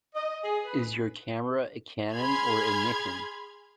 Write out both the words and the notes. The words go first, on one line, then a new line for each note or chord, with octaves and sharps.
Is your camera a Canon or a Nikon?
D#5
G#4
B4
G#4 B5 C6 F6 G#6